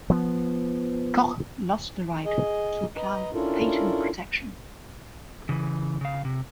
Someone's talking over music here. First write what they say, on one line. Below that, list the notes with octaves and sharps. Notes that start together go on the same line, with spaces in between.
Koch lost the right to apply for patent protection.
F3 B3
G#4 D#5
B4 D#5 A#5
C#4 D4 E4 F4 A4 A#4
C#3 E3
C#3 F5
C3